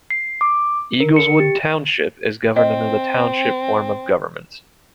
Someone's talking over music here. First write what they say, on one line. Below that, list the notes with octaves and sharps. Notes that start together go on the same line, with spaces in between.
Eagleswood Township is governed under the Township form of government.
C7
D6
A#4
C#7
G4
C4 D#5